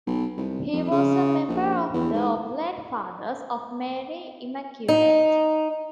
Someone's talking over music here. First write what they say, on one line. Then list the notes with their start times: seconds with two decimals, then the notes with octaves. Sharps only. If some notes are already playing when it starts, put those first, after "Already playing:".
He was a member of the Oblate Fathers of Mary Immaculate.
0.07 B1
0.37 C2
0.73 F2
0.91 C#3
1.48 A#1
1.94 E2
2.13 G#2
4.88 D#4